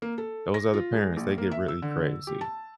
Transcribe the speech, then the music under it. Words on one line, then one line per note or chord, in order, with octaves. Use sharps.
those other parents, they get really crazy.
A#3
A4
A#6
F4
G#3
A#1
A#3
E5
E6
D3
G4
A5